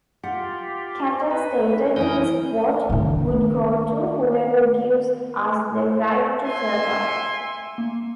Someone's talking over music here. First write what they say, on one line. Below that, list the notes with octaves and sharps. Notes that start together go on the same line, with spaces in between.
Katter stated his vote would go to "whoever gives us the right to survive".
F4 G4 F#5
B4
E3 C#4 E4 A#4 D#6 G6
D#3 D4
E5 G#5 C6
C#7
A#3